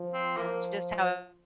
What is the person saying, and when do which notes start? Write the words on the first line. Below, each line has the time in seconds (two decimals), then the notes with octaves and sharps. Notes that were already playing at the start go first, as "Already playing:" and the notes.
it's just how
Already playing: F3
0.14 C4
0.37 A#3